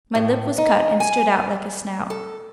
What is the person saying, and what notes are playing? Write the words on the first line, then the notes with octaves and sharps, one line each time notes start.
My lip was cut and stood out like a snout.
A2
D#4
G#5
A4